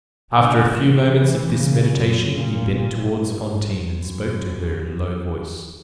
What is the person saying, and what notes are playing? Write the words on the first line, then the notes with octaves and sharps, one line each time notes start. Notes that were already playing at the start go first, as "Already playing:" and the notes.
After a few moments of this meditation he bent towards Fantine, and spoke to her in a low voice.
D3
E3
E3
C#3
F#2
A#2
G2
F#2